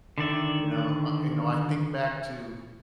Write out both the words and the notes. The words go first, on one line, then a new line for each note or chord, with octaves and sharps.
You know, uh, you know, I think back to
D3 D#3 D5 E5